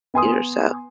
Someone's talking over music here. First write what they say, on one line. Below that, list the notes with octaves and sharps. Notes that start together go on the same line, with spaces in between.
Or so
B3 G#5 C6 D#6